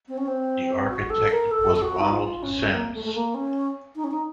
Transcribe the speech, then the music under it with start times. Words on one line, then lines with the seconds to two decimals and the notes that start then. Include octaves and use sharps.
The architect was Ronald Sims.
0.08 C4
0.17 C#4
0.28 C4
0.90 F#4
1.10 A4
1.31 A#4
1.51 A4
1.76 A4
1.82 F#4
2.00 D#4
2.12 F4
2.43 C#4
2.73 A#3
2.94 A3
3.05 A3
3.15 A#3
3.35 C#4
3.96 D#4
4.04 C#4
4.11 D#4